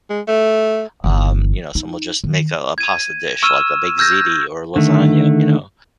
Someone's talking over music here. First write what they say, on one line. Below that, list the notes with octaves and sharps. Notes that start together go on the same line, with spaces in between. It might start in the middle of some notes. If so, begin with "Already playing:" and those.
um you know, some will just make a a pasta dish like a baked ziti or lasagna, you know?
G#3
A3
G1 E3
D#4
D#3
G#6 D#7
C#6 E6 F6 D#7 E7
E6 F6 G6 G#6 A#6
D3 D#3 A3